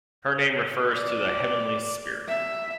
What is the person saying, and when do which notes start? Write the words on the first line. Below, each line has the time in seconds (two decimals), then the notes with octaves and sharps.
Her name refers to the Heavenly Spirit.
0.95 D5
2.28 E5